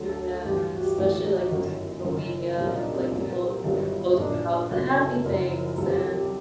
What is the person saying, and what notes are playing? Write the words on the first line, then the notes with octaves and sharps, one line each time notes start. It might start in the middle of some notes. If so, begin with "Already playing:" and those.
Yeah, especially, like, with social media, like, people just post about the happy things, and
Already playing: D2 D3 F#3
A4
A4
A1 G2 F#3 G4
F#4
G4
A1 A2 F#3 G4
F#4
D#4
F#4
G1 F#2 D#3 F#3
F#1 F#2 D#3 F#3
C2 A#2 F#3
D#4
D4
C4
C2 A#2 F#3
G1 G2 D#3 F#3
D#4
A#1 A#2 F#3 D4
F#1 F#2 D3 F#3 F#4
A4
F#1 F#2 F#3 A#4
C2 C3 D#3 F#3 A4
G4
A4
G4